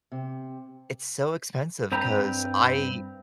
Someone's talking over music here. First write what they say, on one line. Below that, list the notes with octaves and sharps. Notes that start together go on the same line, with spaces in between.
it's so expensive 'cause I
C3
G2 C4 B4 A#5